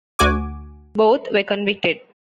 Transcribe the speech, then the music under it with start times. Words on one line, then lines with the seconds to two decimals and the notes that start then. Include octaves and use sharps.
Both were convicted.
0.19 D2 F#4 G#5 D6